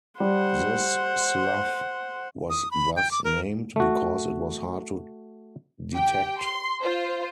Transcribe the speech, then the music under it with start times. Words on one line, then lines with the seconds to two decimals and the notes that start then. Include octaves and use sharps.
This slough was thus named, because it was hard to detect.
0.20 G3 C5 F#5
2.50 D#6
2.71 B5
2.96 G5
3.11 D6
3.24 A#4
3.76 A3 F#4
5.95 G4 G5
6.41 C6
6.81 F4 C5